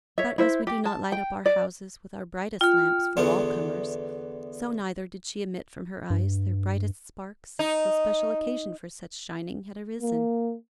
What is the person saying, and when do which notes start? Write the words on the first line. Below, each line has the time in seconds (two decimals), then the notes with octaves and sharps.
But as we do not light up our houses with our brightest lamps for all comers, so neither did she emit from her eyes their brightest sparks till special occasion for such shining had arisen.
0.18 C#5 E5
0.38 E4 C5 E5
0.67 G4
0.85 A5
1.12 G5
1.46 D5
2.61 F4 G5 F6
3.17 E2 D3 B3 D5
6.10 G2
7.59 D#4
10.02 A#3